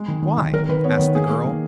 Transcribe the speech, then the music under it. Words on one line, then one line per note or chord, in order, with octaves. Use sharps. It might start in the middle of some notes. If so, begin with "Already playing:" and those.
"Why?" asked the girl.
Already playing: G#3
D#3
D#3
D#3
D#3 A#4
D#3 B4
B3 C#5
D#3
A#3 G#4
A#3
D#3